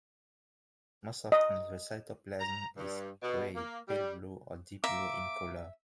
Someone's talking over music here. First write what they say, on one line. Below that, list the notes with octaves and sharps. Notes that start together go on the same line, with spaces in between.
Most often, the cytoplasm is gray, pale blue, or deep blue in colour.
D#5
A#5
G2
B2
A#3
G3
A#3 E5 D6